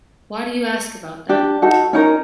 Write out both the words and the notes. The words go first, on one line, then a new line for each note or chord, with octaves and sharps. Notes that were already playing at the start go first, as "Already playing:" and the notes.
Why do you ask about that?
D4 G4
D#4 F#4 A4
C#4 D#4 A#4